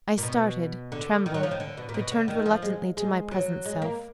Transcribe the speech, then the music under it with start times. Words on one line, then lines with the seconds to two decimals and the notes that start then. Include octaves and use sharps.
I started, trembled, returned reluctantly to my present self.
0.18 A#2
0.23 B2
0.92 D3
1.26 D#3
1.34 F#3
1.43 F3
1.51 D#3
1.60 D3
1.77 B2
1.89 A#2
1.94 B2
2.12 D3
2.28 D#3
2.46 F3
2.62 G#3
2.97 G#3
3.31 F#3
3.66 G#3
3.82 A#3